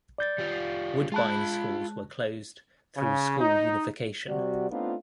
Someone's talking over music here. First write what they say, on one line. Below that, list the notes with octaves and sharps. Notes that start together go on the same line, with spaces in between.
Woodbine schools were closed through school unification.
D5 G6 A6
G3 F4
G#3 F4 A5 B5 F#6
C#3
D#4
C3 G3 F#4 D5
A3 B3 C4 D4 D#4 F4